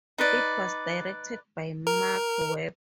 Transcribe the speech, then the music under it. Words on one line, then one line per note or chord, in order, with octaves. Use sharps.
It was directed by Marc Webb.
D#4 B4 D5
A#4